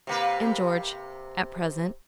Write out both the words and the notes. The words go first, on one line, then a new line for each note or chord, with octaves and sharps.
"And George,--at present."
C3 A#3 B4